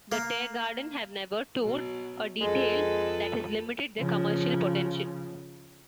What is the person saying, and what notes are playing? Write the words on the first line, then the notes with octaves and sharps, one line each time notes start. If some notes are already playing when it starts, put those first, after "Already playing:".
The Tear Garden have never toured, a detail that has limited their commercial potential.
A#3
B2 F#3
F2 G#3 A4 B4
C#3 F3